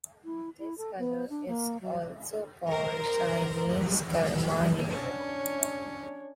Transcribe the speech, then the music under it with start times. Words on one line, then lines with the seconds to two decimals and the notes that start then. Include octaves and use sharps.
This color is also called Chinese carmine.
0.25 E4
0.59 E4
0.78 A4
0.99 B3
1.30 D4
1.48 A#3
1.81 F#3
2.70 A#4 C5
4.89 C#4 D4 C#5